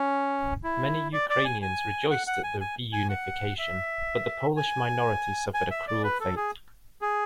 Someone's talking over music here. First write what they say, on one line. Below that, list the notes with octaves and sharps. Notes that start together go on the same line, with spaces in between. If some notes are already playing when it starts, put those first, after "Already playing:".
Many Ukrainians rejoiced at the "reunification", but the Polish minority suffered a cruel fate.
Already playing: C#4
E4
D5
D5
G#5
G#5
F#5
F#5
G#5
G#5
G#5
F#5
E5
G#5
G#5
E5
D5
B4
A4
G#4
G#4